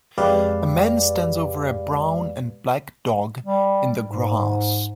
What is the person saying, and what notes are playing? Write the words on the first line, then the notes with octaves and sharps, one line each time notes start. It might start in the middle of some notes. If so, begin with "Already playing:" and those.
A man stands over a brown and black dog in the grass.
F2 G#3 G4 B4 D5 F5
G3
G#2